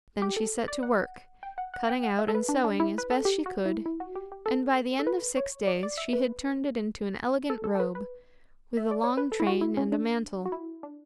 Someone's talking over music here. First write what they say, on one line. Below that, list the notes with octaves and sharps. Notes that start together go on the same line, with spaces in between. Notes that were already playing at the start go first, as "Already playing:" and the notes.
Then she set to work, cutting out and sewing as best she could, and by the end of six days she had turned it into an elegant robe with a long train and a mantle.
G4
A4
D5
F#5
G5
F#5
F#5
G5
F#5
E5
A4
B4
D4
D4
E4
B4
A4
G4
F#4
E4
E4
F#4
G4
G4
A4
A4
B4
C#5
D5
D5
E5
B4
A4
A4
A4
B4
B4
E5
D5
C#5
B4
A4
E4
F#4
E4
C#4
D4
F#4
E4
D4